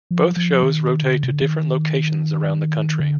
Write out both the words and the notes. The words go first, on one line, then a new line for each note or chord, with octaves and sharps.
Both shows rotate to different locations around the country.
F3
F3
D#3
D3
C3
D3
D#3
D3